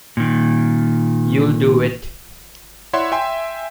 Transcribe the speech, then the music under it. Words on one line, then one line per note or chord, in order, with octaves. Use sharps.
You'll do it?
A#2 D#3
E4 C#5 D5 E5 F#5 C6
E5 G5 G#5 C6